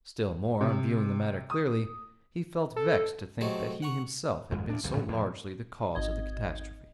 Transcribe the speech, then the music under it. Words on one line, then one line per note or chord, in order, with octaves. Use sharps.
Still more, on viewing the matter clearly, he felt vexed to think that he himself had been so largely the cause of the catastrophe.
C3
D#6
A4
C3 F#3 A3 G#4 A4 D#5
F#5 A#5 C#6
G#1 F2 G#3
D2 D4
B1 E2 C#3 G3
G#2 F#3 B3
E2 A#2 F3 A#3
G#1 D#5 G#6